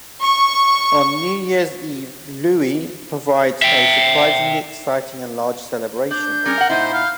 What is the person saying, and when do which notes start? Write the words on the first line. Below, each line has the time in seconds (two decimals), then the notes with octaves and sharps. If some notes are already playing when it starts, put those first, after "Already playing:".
On New Year's Eve, Looe provides a surprisingly exciting and large celebration.
0.22 C#6
3.62 E5 G5
6.11 D4 G6
6.46 G3 C#4 G#4 A#4
6.58 F5 F#5
6.69 A#2 D#4 E4 C5
6.94 F5